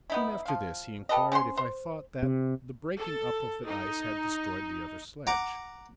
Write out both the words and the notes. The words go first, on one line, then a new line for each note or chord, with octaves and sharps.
Soon after this he inquired if I thought that the breaking up of the ice had destroyed the other sledge.
B3 D#4 E4
F3 F5
G4 A4 B4 D#5
C#4 C5 F#5 C6
C5
C3
A4
D#4
F#5 A#5 D6